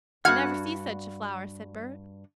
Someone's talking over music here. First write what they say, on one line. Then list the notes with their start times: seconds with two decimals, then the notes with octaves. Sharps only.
"I never see such a flower," said Bert.
0.25 G2 F#4 F#5 F6 G#6